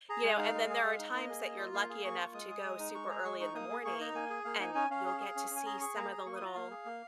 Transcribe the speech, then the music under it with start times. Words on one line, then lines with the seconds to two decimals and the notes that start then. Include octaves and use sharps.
You know, and then there are times that you're lucky enough to go super early in the morning, and you'll get to see some of the little
0.09 G#4 A#5
0.24 G#3 G#5
0.38 D#4 F5
0.54 G#3
0.70 G#4
0.84 G#3
0.99 D#4
1.14 A#3 D#5
1.29 G#4
1.44 A#3
1.59 F4
1.74 A#3 F5
1.89 G#4 F5
2.04 A#3 C#6
2.20 F4
2.34 G#3 D#6
2.50 G#4
2.64 G#3
2.79 D#4
2.94 G#3 C#6
3.10 G#4 A#5
3.25 G#3 C#6
3.40 D#4 C#6
3.54 A#3 D#6
3.70 G#4
3.85 A#3 C#6
4.00 D#4 A#5
4.15 A#3 G#5
4.30 G#4
4.45 A#3 F5
4.60 D#4 G#5
4.75 C#4 G#5
4.90 C#4 F5
5.06 G#4
5.20 G#4
5.36 C#4
5.50 C#4
5.56 G#5
5.66 G#4 A#5
5.81 G#4 C#6
5.96 A#3 A#5
6.11 G#4
6.26 A#3 C#6
6.36 D#6
6.41 F4
6.46 A#5
6.55 A#3 F5
6.71 G#4
6.86 A#3